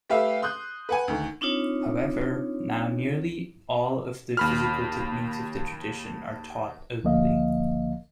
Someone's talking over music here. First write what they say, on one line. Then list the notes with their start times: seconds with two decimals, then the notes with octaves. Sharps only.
However, now nearly all of the physical techniques of the tradition are taught openly.
0.10 A3 G4 B4 E5 F5
0.42 C6 D#6 F#6 G6
0.89 B4 F#5 G#5
1.08 D2 D#3
1.41 C4 D4 D#4 F4 C#5
4.37 D#2 B5 F6
7.03 C#2 D3 F3 A#3 D#5 F5